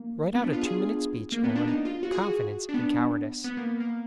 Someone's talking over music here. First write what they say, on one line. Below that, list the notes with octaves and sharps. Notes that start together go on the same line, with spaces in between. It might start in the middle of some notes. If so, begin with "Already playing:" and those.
Write out a two-minute speech on "Confidence and Cowardice."
Already playing: A#3
B3
D4
F4
G#4
A#3
B3
D4
D#4
F4
F#4
G#4
F#4
D4
B3
B3
A#3
A#3